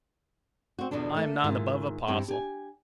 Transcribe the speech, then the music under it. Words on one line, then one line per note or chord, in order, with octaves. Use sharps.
'I am not above a parcel.'
C4 F#4
E2 B2 D3 F3 D4
A3 A#3
G#2 D#3 E4 F4
G2 E3 C4
G4 G#5